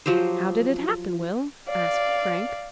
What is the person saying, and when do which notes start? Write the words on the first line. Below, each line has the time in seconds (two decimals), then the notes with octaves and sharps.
"How did it happen, Will?" asked Frank.
0.06 F3 F#3 G4 C5
1.69 D5 F5